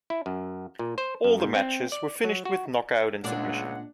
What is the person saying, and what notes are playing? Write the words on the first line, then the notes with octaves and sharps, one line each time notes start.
All the matches were finished with knockout and submission.
E4
F#2
A#2
C5
F#2
G#2
C4
D5
F#3
F#4
C#2 A#2 G#3 D4 D5 F#5